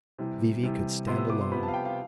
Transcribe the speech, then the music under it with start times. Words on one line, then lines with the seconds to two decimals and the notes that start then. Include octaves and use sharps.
V.V. could stand alone.
0.18 C3 E3 G3
0.63 C3 E3 G3
1.07 C3 F3 B3 C6
1.18 E6
1.30 D6
1.41 C6
1.52 C3 F3 B3 B5
1.63 A5
1.68 F5
1.74 G5
1.85 F5